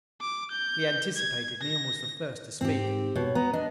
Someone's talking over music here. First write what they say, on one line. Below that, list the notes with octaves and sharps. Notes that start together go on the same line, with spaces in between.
He anticipated me, and was the first to speak.
D6
G6
G#6
A#6
G#2 C4 G4
B2 C#5
B3 A#5
D4 D#5